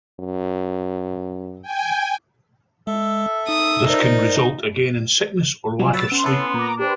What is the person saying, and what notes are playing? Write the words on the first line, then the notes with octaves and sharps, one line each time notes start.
This can result, again, in sickness or lack of sleep.
F#2
G5 G#5
G#3 A4 E5
D#4 D#6
D#4 A#4 C5 D5
F#3 G3 F4 G#5
F#3 B4 C#5 E6 A6
B3 C#4 C6
B3 E4 A4
A#2 A#5 D6
D4 G4 B4 C5